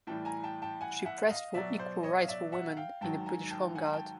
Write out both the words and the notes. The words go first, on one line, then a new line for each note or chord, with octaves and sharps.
She pressed for equal rights for women in the British Home Guard.
A2 E3 G3 G5 A5
G#5 A#5
G5 A5
G5 A5
F#5 G#5
E5 F#5
D#5 F5
B2 F#3 D5 E5
C5 D5
C#5 D#5
F5
D5 E5
E5 F#5
F5 G5
G#2 D#3 F#3 G5 A5
G#5 A#5
G5 A5
F#5 G#5
G5 A5